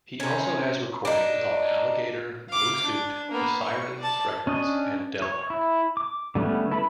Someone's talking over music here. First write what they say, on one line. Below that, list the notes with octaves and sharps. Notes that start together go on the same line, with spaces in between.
He also has recordings on Alligator, Blue Suit, The Sirens Records, and Delmark.
C3 C#4
D4 D#4
F5 D6
D4
A#3 B3
C#6
D5 A5
C#4 D4 D#5
C#5
E4
D6
D3 G3 A3 B3 C#4
E4 A4 B4 B5